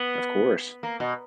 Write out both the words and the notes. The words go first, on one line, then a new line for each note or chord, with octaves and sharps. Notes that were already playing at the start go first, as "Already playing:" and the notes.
Of course.
Already playing: B3
A#3
B2